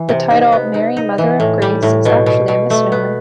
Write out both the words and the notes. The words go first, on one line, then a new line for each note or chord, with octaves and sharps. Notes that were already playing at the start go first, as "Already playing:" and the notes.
The title, "Mary, Mother of Grace" is actually a misnomer.
Already playing: E3
C3
D#4
B3
D#4
D#4
E3
A2
G3
A2
B2
B2
B2
A3
B3